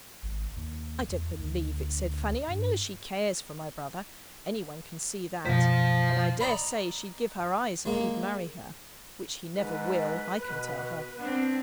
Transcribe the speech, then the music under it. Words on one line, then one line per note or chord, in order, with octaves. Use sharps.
'I don't believe it,' said Fanny. 'I know she cares for my brother; any one can see that; and I dare say, she'd give her eyes if he'd marry her,--which he never will, I can tell her.
G#1
D#2
E2
D2
G2
F#2 B2 F3 C5 F5 B6
D5 D#5 A#5 B5
G#3 A#3
G#2 B4
B2
B3 C4 D4